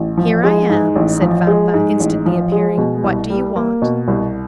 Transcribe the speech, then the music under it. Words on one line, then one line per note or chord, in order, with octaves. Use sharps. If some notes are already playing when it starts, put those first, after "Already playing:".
"Here I am," said Vampa, instantly appearing; "what do you want?"
Already playing: A1
F3
G#3
G#2
A1
F3
G#3
G#2
A1
F3
G#3
B2
C2
G3
A#3
B2
C2